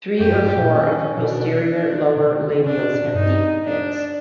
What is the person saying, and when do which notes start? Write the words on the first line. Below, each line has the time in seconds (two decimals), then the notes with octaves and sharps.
Three or four of the posterior lower labials have deep pits.
0.19 F2 G4
0.26 F#2
0.32 G2
0.44 G#2
0.56 A#2
0.69 C#4
1.18 B2 D4
2.16 C3
2.32 D#3
2.49 D3
2.65 C#3 D4
2.77 C3
2.90 B2
3.02 B2
3.14 G2 D#4
3.64 D4